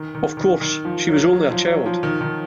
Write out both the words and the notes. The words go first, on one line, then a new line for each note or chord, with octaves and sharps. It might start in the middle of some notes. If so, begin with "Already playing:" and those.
Of course, she was only a child.
Already playing: D#3
D#3
D#3
D#3
F3
F#3
F#3
F3
F#3
F3
D#3
D#3